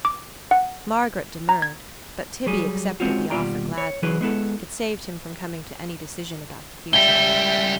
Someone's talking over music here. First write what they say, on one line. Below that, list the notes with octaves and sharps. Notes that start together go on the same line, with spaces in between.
Margaret demurred, but Tibby accepted the offer gladly; it saved him from coming to any decision about the future.
D6
F#5
A#5
G#6
F#3 G3 G#4
G#3 C4 C#4 F4 F#4
D#2 B2 G3 F4 D5 A#5
C#5
E3 F#3 E4 G#4 B4
G#3 B3 E4 A4
C#2 G3 E5 G7